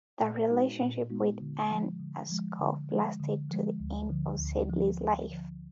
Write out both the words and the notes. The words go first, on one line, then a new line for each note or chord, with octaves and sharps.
The relationship with Ann Ayscough lasted to the end of Sedley's life.
A#2
G#3 B3 D#4 F#4
A#2
G#3 B3 D#4 F#4
D3
F3 G#3
D3
F3 G#3
D3
F3 G#3
D3
F3 G#3
D2
D3 F3
D2
D3 F3
D2
D3 F3